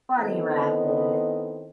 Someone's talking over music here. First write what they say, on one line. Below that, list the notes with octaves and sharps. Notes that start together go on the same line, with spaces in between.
bunny rabbits,
D#3 B3 C4 E4 A4 D#5